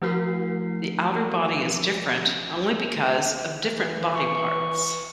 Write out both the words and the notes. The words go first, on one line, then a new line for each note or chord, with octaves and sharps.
The outer body is different only because of different body parts.
F3 A3 E4 F#4 A#4 C7
E3
C#6